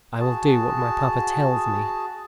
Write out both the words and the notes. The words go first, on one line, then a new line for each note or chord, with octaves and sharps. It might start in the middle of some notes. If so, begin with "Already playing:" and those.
"I will do what my papa tells me."
F#4 G#4 A5